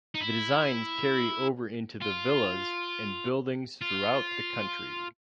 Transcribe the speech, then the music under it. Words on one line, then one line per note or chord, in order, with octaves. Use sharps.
The designs carry over into the villas and buildings throughout the country.
D#4
E4
F4
F4